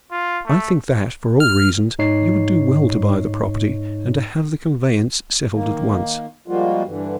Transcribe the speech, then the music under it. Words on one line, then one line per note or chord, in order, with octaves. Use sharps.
I think that, for all reasons, you would do well to buy the property and to have the conveyance settled at once.
F4
A3
F6
G#2 D#4 C#5 C7
D#3 A#3
F3 G3 G#3 A#3 F4 F#4
G2 D3 E3